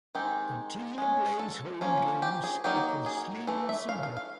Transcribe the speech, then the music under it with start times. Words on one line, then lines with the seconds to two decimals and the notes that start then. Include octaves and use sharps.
The team plays home games at the Sleeman Centre.
0.15 D#3 G#3 C4 D#4 G4
0.98 G#3 C#4
1.39 A4
1.81 F3 A#3 C#4
2.22 G4
2.44 G#4
2.64 F#3 A#3 D#4 G4
3.06 G#4
3.47 E3 A3
3.69 E5
3.89 F5
4.03 F5
4.17 F5